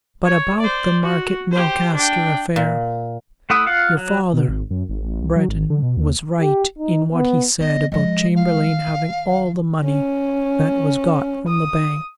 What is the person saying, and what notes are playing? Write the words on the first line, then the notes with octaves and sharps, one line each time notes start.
But about the Market Milcaster affair: Your father, Breton, was right in what he said about Chamberlayne having all the money that was got from the bank.
C#5
C5 D5
F#4
G4 C5
D4 G5
A#2
A3 E4 F#5 D#6
F4 F5 F#5
F#3
B2
G#1
F#2
G#1
A1
C2
F#3
G#1
D3
B2
D#2
G4
D#4
B3
B3 D#5
F3 G#3 D#5
F5
D#3
C#4
D#6